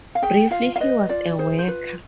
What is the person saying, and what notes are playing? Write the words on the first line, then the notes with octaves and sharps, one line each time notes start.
Briefly, he was a worker.
F5
G#4 G5
F4 F5
F5
B4 D#5
F4 D5
G#4 C5
C5
F4 B4